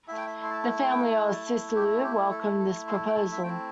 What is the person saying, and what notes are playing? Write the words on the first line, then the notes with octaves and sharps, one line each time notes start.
The family of Sisulu welcomed this proposal.
A3 E4 E5
G5
E5
C6
A5
G5
A5
G4
G4
A4
A4
C6
G5
A5
E5
A3 C4 E4 G5